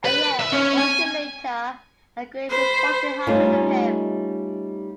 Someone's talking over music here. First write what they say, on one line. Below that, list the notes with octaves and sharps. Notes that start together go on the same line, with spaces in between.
A year or two later a great misfortune happened to him.
B4
E5
C#4
G#5
C5 B5
G3 A3 C#4 D#4 F4